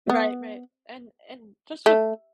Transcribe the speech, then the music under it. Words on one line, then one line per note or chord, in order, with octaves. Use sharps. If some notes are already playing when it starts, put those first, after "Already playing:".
Right right, and and just with
B3
A3